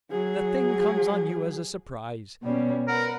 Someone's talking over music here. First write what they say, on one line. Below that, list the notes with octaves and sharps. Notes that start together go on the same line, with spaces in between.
The thing comes on you as a surprise.
F#3 G#4
B2 G3 C#4
A#4 B4 F#5